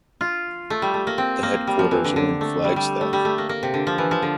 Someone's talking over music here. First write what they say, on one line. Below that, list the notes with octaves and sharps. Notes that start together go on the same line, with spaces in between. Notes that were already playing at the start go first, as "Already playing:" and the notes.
The headquarters are in Flagstaff.
F4
A3
G3
A3
A#3
C4
A#3
G3
F3
E3
D3
D3
A3
G3
G3
A3
G3
A3
A#3
A#3
C3
D3
F3
E3
F3
D3